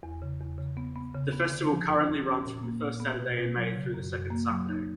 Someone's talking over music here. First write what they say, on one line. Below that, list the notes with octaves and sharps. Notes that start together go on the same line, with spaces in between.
The festival currently runs from the first Saturday in May through the second Sunday.
E2
C#3
E2
C#3
B3
B3
C#3
B3
D3
F3
F2
F2
C#4
A#2
A#3
A#2
B3
B2
B2
F#3
C#3
F#2
F#2
A#3
F#3
D#4